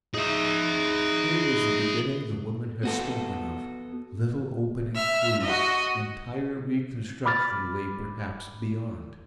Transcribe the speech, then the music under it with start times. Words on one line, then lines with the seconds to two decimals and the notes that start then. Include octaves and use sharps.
Here was the beginning the woman had spoken of--little opening clue. Entire reconstruction lay perhaps beyond.
0.14 D#4 G#4 E5
2.83 B3 F#4 A4
4.94 E5 F6
5.42 F#4 D#5
7.26 B5 D6 F6 A6